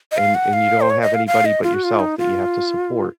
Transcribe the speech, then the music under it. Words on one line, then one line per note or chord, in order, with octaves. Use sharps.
and and you don't have anybody but yourself that you have to support,
D#5
F5
F#5
F5
C5
C#5
D#5
F5
F5
D#5
F4
F#4
F4
D#4
F4